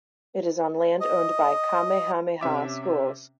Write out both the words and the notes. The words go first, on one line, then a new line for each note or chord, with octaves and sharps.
It is on land owned by Kamehameha Schools.
D#5
C3 C#4 E5 D6